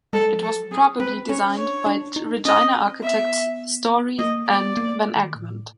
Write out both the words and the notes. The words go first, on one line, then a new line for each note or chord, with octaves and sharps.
It was probably designed by Regina architects Storey and Van Egmond.
G#3 A4
F3
F#3 A4
C4 G#4
C4 B4
C#4 C#5
D4 C#5
D4
D#4
C#4 D#5
C4
B3 E5
A#3 D#5
B3 D5
A#3
A3
D#3
A2